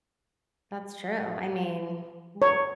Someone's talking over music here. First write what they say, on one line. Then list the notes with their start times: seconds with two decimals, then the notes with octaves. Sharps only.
That's true. I mean, yeah.
2.42 C#5